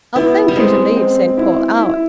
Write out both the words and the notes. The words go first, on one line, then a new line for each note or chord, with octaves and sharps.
"I'll thank you to leave Saint Paul out."
B3 E4
G3
G#3 C4
C4
E4
E4